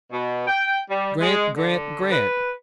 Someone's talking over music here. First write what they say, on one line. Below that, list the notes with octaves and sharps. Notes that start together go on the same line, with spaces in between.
Grant, Grant, Grant!
B2
G5
G3
G#3
D3
B4